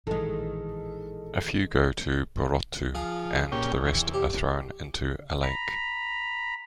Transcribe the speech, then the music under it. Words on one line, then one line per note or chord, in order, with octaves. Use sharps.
A few go to Burotu, and the rest are thrown into a lake.
A1 A#2 D#3 E3 G#3 A4
F3 G#4 F5
A#2 C#4 G4
E2
G4
A#5 B5